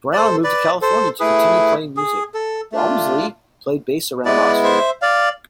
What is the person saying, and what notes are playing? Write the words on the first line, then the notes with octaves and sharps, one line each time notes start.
Browne moved to California to continue playing music, Walmsley played bass around Oxford.
D5
A4 C5
B4 D5
A4 C5
A3 E4 G#4 B4
G#4
A4
A3 D4 F4
G#3 B3 E4 B4 D5
C5 E5
D5 F5